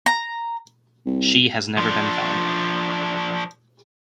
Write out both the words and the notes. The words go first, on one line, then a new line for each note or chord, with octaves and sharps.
She has never been found.
A#5
C2
F3 D4